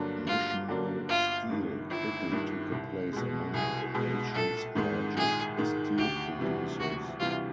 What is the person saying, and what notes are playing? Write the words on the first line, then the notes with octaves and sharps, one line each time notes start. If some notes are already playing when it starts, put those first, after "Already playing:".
National Steel quickly took a place among the nation's largest steel producers.
Already playing: G2 D3 F#3 A#3 D4
G2 F4
D3 F#3 A#3 D4
G1 F4
G2 D#3
G1 E4
G2 D#3
C2
B2 G#3
C2 G#4
B2 G#3
A#1 A4
G#2 D#3 G#3
A#1 G#4
G#2 D#3 G#3
D2 G4
C3 E3 G3
D2 F#4
C3 E3 G3 F4